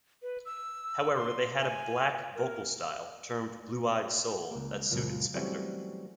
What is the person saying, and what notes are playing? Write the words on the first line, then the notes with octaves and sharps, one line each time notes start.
However they had a black vocal style, termed blue-eyed soul, that suited Spector.
B4
E6
C6
G#5
A#4
C#2 A#3
C#2 F#2 A#2 F3
E3 F#3 G3 A3 C4 C#4